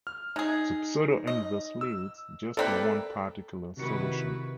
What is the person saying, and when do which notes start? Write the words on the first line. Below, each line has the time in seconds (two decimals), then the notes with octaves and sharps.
The pseudo-inverse leads just to one particular solution.
0.07 F6
0.36 G#3 D#4 G#4
1.27 D#5
1.81 E6
2.57 C3 A#3 A4 B4 D5 G5
3.77 C3 D#3 E4 F#4 B4 C#7